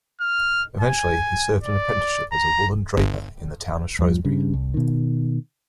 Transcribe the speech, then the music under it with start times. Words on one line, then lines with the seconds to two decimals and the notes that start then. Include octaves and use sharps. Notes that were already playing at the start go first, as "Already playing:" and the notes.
Eventually, he served an apprenticeship as a woollen draper in the town of Shrewsbury.
0.21 F6
0.81 G#5
1.63 D5
2.32 A#5
2.98 G1
3.99 E2 G2 F3
4.25 G2 C#3
4.53 C2
4.74 B2 D#3